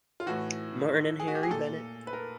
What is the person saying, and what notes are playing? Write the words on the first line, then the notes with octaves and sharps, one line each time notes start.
Martin and Harry Bennett.
F4
A2 E3 F#4
G#4
F#4
G4
G#4
A#2 A4
B4
A#4